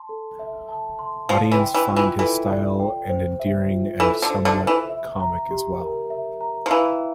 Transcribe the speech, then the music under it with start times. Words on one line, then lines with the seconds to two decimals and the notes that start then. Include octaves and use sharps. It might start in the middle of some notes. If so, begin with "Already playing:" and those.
Audience find his style and endearing and somewhat comic as well.
Already playing: A5 C6
0.09 A4
0.39 E5
0.69 A5
0.99 C6
1.29 F3 D5
1.51 E3
1.60 G5
1.74 E3
1.89 F4
1.96 E3
2.19 E3 A4
2.49 D5
2.80 G5
3.09 C5
3.40 E5
3.70 F4
4.00 E3 A4
4.22 D3
4.30 C5
4.45 D3
4.60 E5
4.67 E3
4.90 E5
5.20 A#5
5.51 G4
5.80 A#4
6.10 E5
6.41 A#5
6.66 F3
6.70 E3 F5